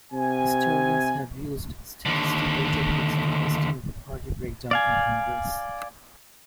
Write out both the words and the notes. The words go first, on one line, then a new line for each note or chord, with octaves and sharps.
Historians have used statistical techniques to estimate the party breakdown in Congress.
C3 G#5
D#2 D3
D5 F5 G#5